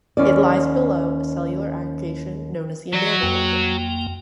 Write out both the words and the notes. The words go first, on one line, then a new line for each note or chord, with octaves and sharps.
It lies below a cellular aggregation known as the enamel organ.
D#2 C#4 D5
E3 F#3 F#4 D5
F2 A#3 G5